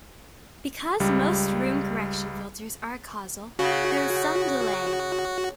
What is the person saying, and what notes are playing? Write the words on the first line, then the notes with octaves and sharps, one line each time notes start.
Because most room correction filters are acausal, there is some delay.
C#2 G3
C#3 F#4